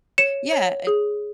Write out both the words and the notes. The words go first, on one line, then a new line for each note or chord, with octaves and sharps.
yeah, uh,
C#5 C#7 E7
C#5
G#4